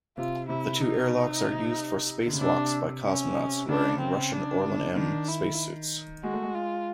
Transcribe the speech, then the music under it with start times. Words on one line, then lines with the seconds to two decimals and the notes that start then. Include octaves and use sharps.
The two airlocks are used for spacewalks by cosmonauts wearing Russian Orlan-M spacesuits.
0.17 C3 F4
0.49 C3 E4
0.81 D#4
2.26 D3
2.33 C#3
2.40 C3 D4
3.04 C#4
3.69 C#3 D4
4.00 C4
4.32 D4
4.95 D#3 D4
5.28 E4
6.23 G#3 F#4
6.33 A3
6.42 G#3
6.55 F4